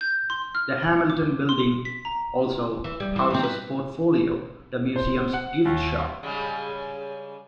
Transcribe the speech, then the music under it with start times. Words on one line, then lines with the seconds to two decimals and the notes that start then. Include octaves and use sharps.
The Hamilton building also houses Portfolio, the museum's gift shop.
0.01 G6
0.30 C6
0.55 F6
1.10 D6
1.49 C6
1.85 B6
2.05 A#5
2.84 E3
3.00 G3
3.16 E3
3.30 D#3 C4
3.43 B4
4.96 C5
5.33 F#5
5.65 D#2
6.23 C#3 G3 G#3